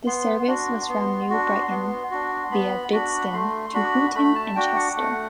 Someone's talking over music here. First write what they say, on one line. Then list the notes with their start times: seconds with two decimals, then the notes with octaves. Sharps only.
This service was from New Brighton, via Bidston, to Hooton and Chester.
0.07 B3 C6
0.47 D4 F#4
0.89 B3
1.30 D4 F#4
1.70 B3 C6
2.11 D4 F#4
2.51 B3 B5
2.92 D4 F#4 B5
3.33 A3 C6
3.74 D4 F#4 B5
4.15 A3 B5
4.35 A5
4.55 D4 F#4 G5
4.76 F#5
4.96 A3 F#5